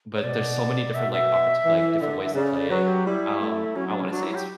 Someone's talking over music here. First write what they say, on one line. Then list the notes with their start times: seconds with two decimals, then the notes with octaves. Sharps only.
But there's so many different, like, opportu like, different ways to play it, um, I wanna say it's
0.16 C#5
0.24 B2 D5
0.94 B2 E5
1.12 E5
1.65 E3
2.00 D3 E5
2.23 E5
2.34 C#3 D5
2.53 D5
2.70 F#3 B4
2.88 G4
3.06 G3 E4
3.41 A3
3.75 F#3 C#4
3.87 D4
3.99 C#4
4.11 F#3 D4
4.23 E4
4.35 G4